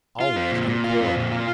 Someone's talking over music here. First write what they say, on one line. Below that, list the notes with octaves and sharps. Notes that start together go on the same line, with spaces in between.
Always in a quarrel.
F4
C4
A#2
A#2
F4
C4
A#2
F4